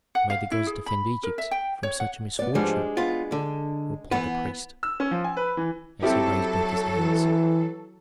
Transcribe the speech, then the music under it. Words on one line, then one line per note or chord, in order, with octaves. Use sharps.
"May the gods defend Egypt from such a misfortune!" replied the priest, as he raised both his hands.
F#5
F5
E4
G#4
B5
A#4
E5
G5
C#5
F#5
B3 D5
G#2 F3 G3 G#3 D4
B3 F4
D3
E3 B3 B4 F#5
E6
C#4
F3
G#5
B4
E3
F#3 C4 E4 G4 A4
E3